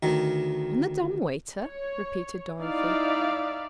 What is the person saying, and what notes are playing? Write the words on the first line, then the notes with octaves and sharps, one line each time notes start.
"On the dumb waiter?" repeated Dorothy.
D2 D#3
C#5
D#4 E4 D5 E5 F5